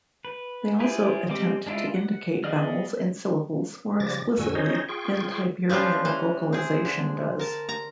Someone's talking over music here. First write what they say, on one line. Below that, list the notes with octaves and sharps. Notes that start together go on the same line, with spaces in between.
They also attempt to indicate vowels and syllables more explicitly than Tiberian vocalization does.
B4
E4 F4 G4 G#4 B4
G3 G#3 C4 D6
G#3 D4 E4 F4
F#5
B3 G#4 D5 D#5 F6
C#3 F3 G3 D6 A6 A#6
F2 A2 D3 F#4 G#5 E6
C#4 D#4 C5 C#5 D#5
F4 G#4 G5 C#6
F3 G3 C#4 D4 F4
E3
C4 G#4
D3
A#4 A5
A#5